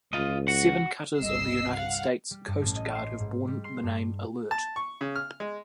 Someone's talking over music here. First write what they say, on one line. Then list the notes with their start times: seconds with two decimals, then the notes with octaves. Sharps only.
Seven cutters of the United States Coast Guard have borne the name Alert.
0.13 C#2 F4 D#5
0.48 F#4 F#5
1.19 G1 C2 D#5 E6 C7
1.73 F5 F#5
2.31 G3
2.48 G2
2.61 A1
2.75 D#5
2.95 C6
3.20 G#2
3.48 G3
3.64 C6
3.83 G2
4.51 A5
4.76 C#6
5.01 C#3
5.16 F6
5.40 G#3